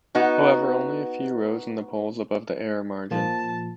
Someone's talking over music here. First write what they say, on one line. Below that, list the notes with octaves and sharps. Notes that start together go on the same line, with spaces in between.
However, only a few rose in the polls above the error margin.
B3 D#4 F#4
A#2 F3 A5